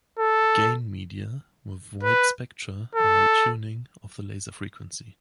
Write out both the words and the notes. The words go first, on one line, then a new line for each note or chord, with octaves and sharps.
"Gain media" with wide spectra allow tuning of the laser frequency.
A4
B4
A4